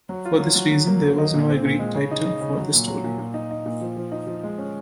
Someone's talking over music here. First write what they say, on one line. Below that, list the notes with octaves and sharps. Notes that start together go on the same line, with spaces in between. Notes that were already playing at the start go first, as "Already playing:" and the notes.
For this reason, there was no agreed title for the story.
F#3
F4
F#3
F#3
F#3
A#3
F#3
D#4
A#2
C4
A#2
G#3
C#3
D#4
D#4
C#3
F#3
A#2
F#3
A#2
A#2
D#4
D#4
A#2
F3
F3
D#4
F3
G#3
C#4